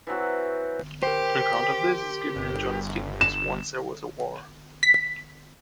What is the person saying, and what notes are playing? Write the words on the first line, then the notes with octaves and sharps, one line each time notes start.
An account of this is given in John Steinbeck's Once There Was a War.
E3 F#3 C4 F#4
G4 A#4 C5
G1
E7
B6